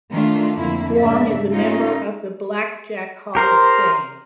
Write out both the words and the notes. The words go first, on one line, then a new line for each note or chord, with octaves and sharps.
Wong is a member of the Blackjack Hall of Fame.
D#3 A3 D4 F4
F2 D3 A#3 E4
G#2 C#3 D4 E5
G3 A#3 C#4 D#4 F4
G4 A#4 C5